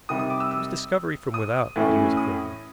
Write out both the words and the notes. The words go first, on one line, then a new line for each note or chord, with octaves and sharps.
It was discovery from without that he was afraid of.
C3 D#3 G3 D#6
D#6
D6
E6
E6
D#6
A2 E3 A3 C#4
D#6